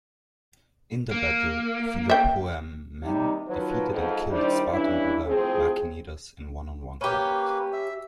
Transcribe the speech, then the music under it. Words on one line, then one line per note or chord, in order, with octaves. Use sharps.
In the battle, Philopoemen defeated and killed the Spartan ruler Machanidas in one-on-one combat.
A#3
E5 G5
D#2 C3 G3 D#4
D#3 F3 F#3 B4
F2 G#2
D#3 G3 D4 E4 C5 D5
G2 E3 C#4 D4 E4
F2 A2 C4 G#4
A#3 C#4 G4 B4
E5